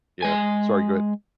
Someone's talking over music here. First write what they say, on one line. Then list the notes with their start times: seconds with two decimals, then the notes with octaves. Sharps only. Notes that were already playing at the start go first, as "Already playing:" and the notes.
yeah, sorry, go ahead.
0.22 G#3 G#5